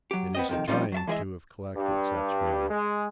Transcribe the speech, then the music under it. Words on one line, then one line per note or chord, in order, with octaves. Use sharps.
It is a triumph to have collected such men.
F#3 G4
B3 C4 D#5
F2 C3 D#3
F3 G3 C4 C#4 D#4 F4
F#3 E5 A5
E3 G#3 G#4 A#4 D#5 E5
G2
G#3